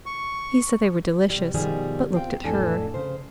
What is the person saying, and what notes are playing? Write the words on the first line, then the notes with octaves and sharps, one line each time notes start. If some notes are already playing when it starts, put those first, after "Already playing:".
He said they were delicious, but looked at her.
C#6
C3 G3
B2 D#3 F3 G3 G#4
C4 F4 G5
F2 A2 D4 A4 G#5
C#3 C5